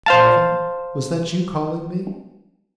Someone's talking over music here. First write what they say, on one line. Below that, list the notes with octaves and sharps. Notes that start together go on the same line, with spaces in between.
Father, was that you calling me?
C5 F5 A5